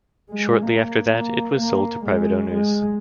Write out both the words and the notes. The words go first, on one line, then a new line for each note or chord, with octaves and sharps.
Shortly after that it was sold to private owners.
G#3
A#3
A#3
A#3
G#3
G#3